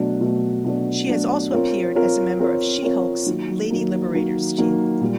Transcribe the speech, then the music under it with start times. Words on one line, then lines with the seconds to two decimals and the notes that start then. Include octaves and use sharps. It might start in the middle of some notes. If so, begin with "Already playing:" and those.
She has also appeared as a member of She-Hulk's "Lady Liberators" team.
Already playing: B2 F#3 A3 D4
0.21 B2 F#3 A3 D4
0.65 B2 F#3 A3 D4
1.09 B2 F#3 A3 D4
1.52 C4 F4 A#4 C#5
1.95 C4 F4 A#4 C#5
2.39 C4 F4 A#4 C#5
2.82 C4 F4 A#4 C#5
3.27 D#3 F#3 A#3
3.71 D#3 F#3 A#3
4.15 D#3 F#3 A#3
4.58 D#3 F#3 A#3
5.01 A#2 G3